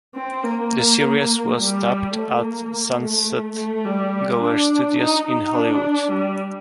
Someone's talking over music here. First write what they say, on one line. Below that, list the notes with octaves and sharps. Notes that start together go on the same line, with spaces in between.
The series was taped at Sunset-Gower Studios in Hollywood.
C4
A#3
G3
A3
A#3
A3
A3
G3
D4
D#4
D#4
D4
G3